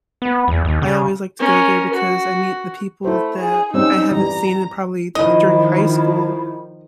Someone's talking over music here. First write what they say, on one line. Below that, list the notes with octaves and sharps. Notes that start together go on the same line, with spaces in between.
I always like to go there because I meet the people that I haven't seen in probably during high school,
B3
E2
D#2
C#3
C#4 A#4
F#4
A3 E4 C5
G#4
G3 C4 C#4 D#4 E6
E3 G3 A#5
D#3 F3 E4 D#5